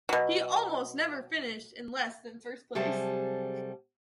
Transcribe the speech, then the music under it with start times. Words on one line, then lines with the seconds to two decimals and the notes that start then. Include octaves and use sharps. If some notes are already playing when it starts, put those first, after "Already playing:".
He almost never finished in less than first place.
0.09 B2 F#3
2.75 C3 F#3 G3 G#4 A4 A5